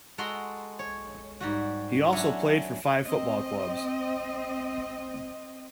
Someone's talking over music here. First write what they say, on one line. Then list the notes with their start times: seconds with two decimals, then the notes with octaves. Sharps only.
He also played for five football clubs.
0.18 G#3 F#4 A4 A#5 C6
0.79 C#5
1.40 G#2 G3 F#4
2.12 F#3 C#4 D4 E4
3.05 C4 D#5